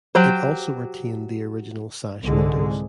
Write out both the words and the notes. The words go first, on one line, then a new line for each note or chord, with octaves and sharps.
It also retained the original sash windows.
F#3 G4 C5
C2 G#2 D3 G#3